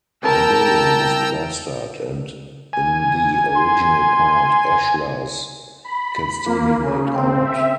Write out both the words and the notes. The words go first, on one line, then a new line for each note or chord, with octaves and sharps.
The building is plastered and in the original part ashlars can still be made out.
C2 A#4 G5 A5 A#5 E6
G#5
C6
B5
A#3
C#3
C4
E5